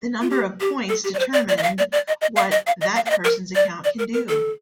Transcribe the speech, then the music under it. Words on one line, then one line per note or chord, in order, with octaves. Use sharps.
The number of points determined what that person's account can do.
F4
G4
G4
A4
G4
D5
C5
D5
D5
D#5
F5
D5
D5
D#5
D#5
F5
D#5
F5
D#5
F5
F5
D#5
A#4
D5
D5
A#4
A#4
A4